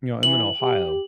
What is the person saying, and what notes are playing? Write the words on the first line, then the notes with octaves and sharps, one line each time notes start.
you know, I'm in Ohio.
E3 F#7
G4